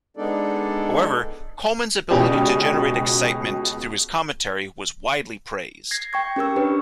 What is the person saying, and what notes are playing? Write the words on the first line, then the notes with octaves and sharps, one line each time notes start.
However, Coleman's ability to generate excitement through his commentary was widely praised.
G#3 B3 D4 D#4 A4 D5
C#2 B2 C#4 G4 D5
G#6 A#6 C7
G5 C#6 G#6
C#4 G4 A#4 C#6 E6
D4 G4 B4 C#5